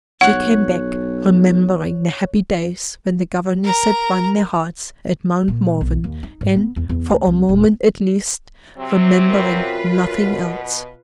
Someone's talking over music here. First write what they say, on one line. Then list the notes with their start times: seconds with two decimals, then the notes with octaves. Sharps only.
She came back; remembering the happy days when the governess had won their hearts at Mount Morven, and, for a moment at least, remembering nothing else.
0.21 B1 C#5 F#5 F#6
3.64 A#4 A#5
5.48 A#2
5.81 B1
6.04 D#2
6.23 D#4
6.41 G#2
6.56 B3
6.76 E2
6.89 E2
7.10 D2
7.27 C2
7.49 D#1
8.78 C3 F#3 C4
9.30 F#2 F4 B4
10.22 B2